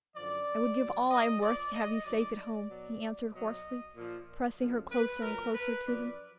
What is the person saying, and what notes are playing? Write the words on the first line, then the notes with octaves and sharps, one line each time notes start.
"I would give all I am worth to have you safe at home," he answered hoarsely, pressing her closer and closer to him.
F#2 D3 F3 D5
B2 F#3
D#5
A#2 F3 D5
D#5
G#2 D#3 F#3 D5
D5
B2 F#3
B2 F#3 D#5
A#2 F3
F#2 D3 F3
B4
A#2 F#3 A#4
B4
F#2 F3 D5